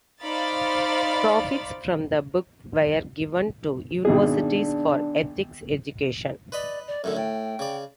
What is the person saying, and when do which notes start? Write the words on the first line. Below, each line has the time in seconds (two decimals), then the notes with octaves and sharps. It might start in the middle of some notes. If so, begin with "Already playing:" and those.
Profits from the book were given to universities for ethics education.
0.23 D#4 C5 D5 F5 B5 A6
4.05 G#1 B2 D4 G#4
6.52 B4 D5 D#5 B5
6.87 D5
7.04 F#2 A2 D3 A4
7.17 A2 G5
7.59 C#3 D5